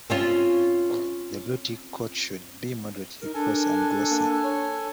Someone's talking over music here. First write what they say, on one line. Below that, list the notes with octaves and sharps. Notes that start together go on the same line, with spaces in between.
The Bluetick coat should be moderately coarse and glossy.
C4 C#4 F4
D#4 A#4
D4 A4 G#5
A#3
C#5